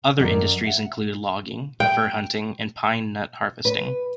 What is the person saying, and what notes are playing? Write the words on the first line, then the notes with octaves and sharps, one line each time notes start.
Other industries include logging, fur hunting and pine nut harvesting.
F#2 D#3 F#3 A4 D5
E5 F#5
G5
B4